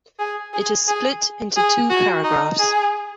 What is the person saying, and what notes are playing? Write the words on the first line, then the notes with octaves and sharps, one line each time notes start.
It is split into two paragraphs.
G#4
G#4
G#4
G#4
F#4
D#4
G#4